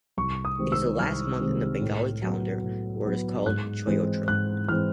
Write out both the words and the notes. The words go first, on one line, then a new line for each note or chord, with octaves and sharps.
It is the last month in the Bengali calendar, where it is called Choitro.
C2 C#6
D#6
C3 D#3 G#3 C4
E6
C2 F6
C3 D#3 G#3 C4
A2
F#3 B3
A2
F#3 B3
G#2 F#6
E3 G#3 C4
G#2 F#6
E3 G#3 C4 F6